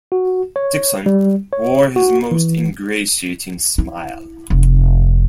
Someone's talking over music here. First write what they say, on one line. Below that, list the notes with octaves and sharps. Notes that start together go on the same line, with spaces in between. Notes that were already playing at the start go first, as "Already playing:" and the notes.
Dickson wore his most ingratiating smile.
F#4
C#5
G3
C#5
F#4
E3
E4
F1